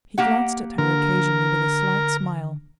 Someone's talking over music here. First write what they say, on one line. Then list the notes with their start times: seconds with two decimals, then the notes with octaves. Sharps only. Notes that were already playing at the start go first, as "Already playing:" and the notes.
He glanced at her occasionally with a slight smile.
0.18 A#3 G4 F#5
0.78 D3 A#4